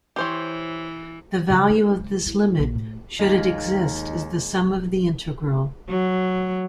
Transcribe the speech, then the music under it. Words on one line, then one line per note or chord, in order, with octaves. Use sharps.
The value of this limit, should it exist, is the sum of the integral.
E3 G4 C5 C#5
C#3
D#4
C#2
E4
A#1
A2
D#2 G#3 A#3 D#4 F4
F#3